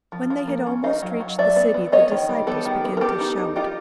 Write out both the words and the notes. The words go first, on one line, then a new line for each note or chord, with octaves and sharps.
When they had almost reached the city, the disciples began to shout.
F3
F3
A#3
C#4
D#4 D#5 F5
F#3
F#3
F#3 D5 E5
B3
B3
B3 C#5 D#5
D#3
G3
B3 G4 A4
D#3
B3
A#4
B3 G4 A4
D#4
D#4
D#4 F4 G4